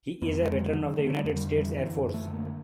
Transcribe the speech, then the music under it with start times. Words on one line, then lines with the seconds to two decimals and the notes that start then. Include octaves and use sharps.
He is a veteran of the United States Air Force.
0.22 F2 B3
0.41 G#3
0.48 D3
0.61 F#3
0.74 D3
0.80 D#3
0.99 D3 A3
1.18 G3
1.25 F2
1.37 G3
1.51 D3
1.57 E3
1.76 F#2 E3
2.01 F#2
2.14 A3
2.27 D3
2.34 A#3